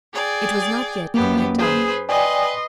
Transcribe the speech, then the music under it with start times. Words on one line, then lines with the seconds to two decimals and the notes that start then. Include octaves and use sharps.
It was not yet quite dark.
0.14 G#4 D5 G5
1.14 F#2 A#3 B3 G4
1.58 G#4 B4 C5
2.09 B4 D5 D#5 G5 G#5 C6